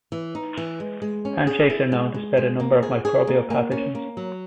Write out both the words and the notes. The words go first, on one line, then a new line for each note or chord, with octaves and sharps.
Handshakes are known to spread a number of microbial pathogens.
E3
D#4
E3
G#3
G#3
C#4
G#4
E4
G#3
G#3
G#3
A#3
G#4
G#4
A#3
A#3
C#4
A#3
F#3